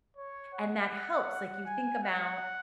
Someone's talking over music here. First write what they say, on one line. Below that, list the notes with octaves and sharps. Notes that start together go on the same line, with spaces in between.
and that helps. Like you think about
C#5
F#5
G#5
F#5